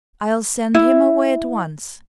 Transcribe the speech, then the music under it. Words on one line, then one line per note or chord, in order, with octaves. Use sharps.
I'll send him away at once.
E4